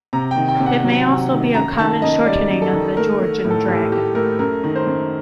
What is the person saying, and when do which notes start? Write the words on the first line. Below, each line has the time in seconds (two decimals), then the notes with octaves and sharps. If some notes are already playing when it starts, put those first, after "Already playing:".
It may also be a common shortening of The George and Dragon.
0.13 C3 A#5
0.31 D#3 G5
0.48 G5
0.60 C3
0.66 F#5
0.84 F#3
1.08 C3
1.32 D#3
1.54 F#2 A#5
1.78 D#3 A5
2.02 F#2 D#5
2.26 G3 D5
2.50 F#2
2.62 A4
2.73 D#3
2.97 A3 A#4
3.20 A3
3.45 A2
3.50 A4
3.68 A2 G4
3.92 A3 G4
4.15 A3 A#4
4.39 F#2 A#4
4.64 D#3
4.75 C5
4.87 F#2